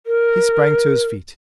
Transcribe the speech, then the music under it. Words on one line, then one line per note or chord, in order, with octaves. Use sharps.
He sprang to his feet.
A#4